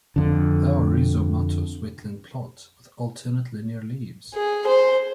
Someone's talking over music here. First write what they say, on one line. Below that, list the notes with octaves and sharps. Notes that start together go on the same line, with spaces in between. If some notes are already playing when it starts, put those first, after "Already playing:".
They are rhizomatous wetland plants with alternate linear leaves.
F2 D3
G#4
C5